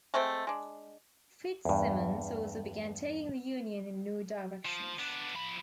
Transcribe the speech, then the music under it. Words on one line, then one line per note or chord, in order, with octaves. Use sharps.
Fitzsimmons also began taking the union in new directions.
G#3 A3 C4 C5
G#3 D4
E2 G2
F3
B3 D4
F3 B5